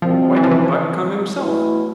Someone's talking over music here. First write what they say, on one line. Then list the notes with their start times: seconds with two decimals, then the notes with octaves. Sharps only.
"Why didn't Buck come himself?"
0.02 C2 B2 F3 G3 C4
0.36 E3
0.44 F3
0.51 E3
1.37 B2 A3 E4